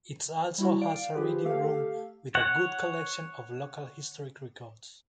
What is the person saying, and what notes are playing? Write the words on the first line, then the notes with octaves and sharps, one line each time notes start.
It also has a reading room with a good collection of local historic records.
G3 E4 F#4
D5 F5 D7
F3 F4 G4 G#4 B4
A3 G4 A4 F5
C#5 F#5